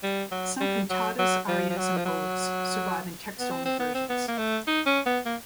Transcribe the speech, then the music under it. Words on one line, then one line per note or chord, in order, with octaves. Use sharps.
Some cantatas, arias, and odes survive in text-only versions.
G3
F#3
G3
F#3
F#3
F3
F3
F#3
F3
F#3
B3
C4
C4
B3
C4
B3
A#3
A3
D#4
C#4
B3
A#3